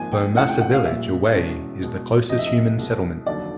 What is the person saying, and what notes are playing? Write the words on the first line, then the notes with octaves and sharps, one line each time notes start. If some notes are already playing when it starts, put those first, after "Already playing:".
Bomassa village, away, is the closest human settlement.
Already playing: G#1 G#2 F3 A#3 G#5
G5
C#2 C3 E3 A3 C#4 F#5
G5
F#5
F5
A#1 A#2 G3 E5
E2 B2 G#3 C#4
E2 B2 G#3
D2 C3 F3 D#5
E5
D#5
C2 B2 G#3
F1 D#2 D3 F#3 D5